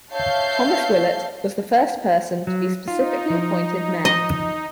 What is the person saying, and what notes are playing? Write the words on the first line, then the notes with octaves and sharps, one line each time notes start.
Thomas Willett was the first person to be specifically appointed mayor.
C#5 E5 F5 A5 G6 C7
F#3
D#4 F4
F3
D#5